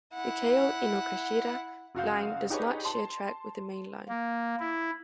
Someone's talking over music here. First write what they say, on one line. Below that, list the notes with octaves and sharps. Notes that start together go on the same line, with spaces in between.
The Keio Inokashira Line does not share track with the Main Line.
E4 F#5
F#1 F#4 F5 G6
D4 D#4 G4 G#4 B4 C#5
A5 C6
A#3
E4